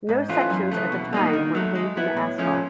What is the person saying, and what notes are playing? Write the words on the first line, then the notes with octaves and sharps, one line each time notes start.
No sections at the time were paved in asphalt.
G#2
E3 A3 C#4 F4
F#2
C#3 E3 A3
B2
G3 A#3 D#4
D#3
F#3 A3
G#3
B3 E4
A2
F3 A3 C#4